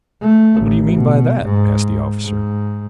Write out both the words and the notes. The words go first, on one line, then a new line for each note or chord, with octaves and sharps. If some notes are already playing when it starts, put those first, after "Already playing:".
"What do you mean by that?" asked the officer.
A3
A1
B2
G#2
G#2